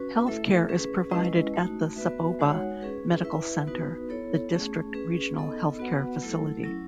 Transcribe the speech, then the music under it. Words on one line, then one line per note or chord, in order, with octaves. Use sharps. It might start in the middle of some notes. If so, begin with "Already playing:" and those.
Health care is provided at the Saboba Medical Centre, the district regional healthcare facility.
Already playing: C#4 F#4 B4
A3 E4 A4 E5
C#4 G#4 B4
G#3 C#4 E4 B4 D#5
A3 D#4 F#4
B3 F#4 B4 E5
G#3 D#4 F#4 C#5 F#5
C#4 G#4 B4
E4 B4 E5
B3 D#4 F#4 B4
B3 E4 A4 C#5
A3 C#4 G#4
C#4 G#4 B4
B3 D#4 A4 D#5
B3 F#4 B4 F#5
F#3 A3 E4 A4
F#3 C#4 E4